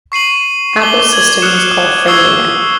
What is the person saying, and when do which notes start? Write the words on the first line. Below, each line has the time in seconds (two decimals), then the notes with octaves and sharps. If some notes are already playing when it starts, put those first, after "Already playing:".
Apple's system was called FriendlyNet.
0.12 C#6 C7 D#7 F#7
0.80 C#6 D6 F#7 G7
1.13 G#6 F#7
1.42 D#6 F6 F#6 C#7 E7
2.07 C#6 D#6 E6 G#6 C7 G7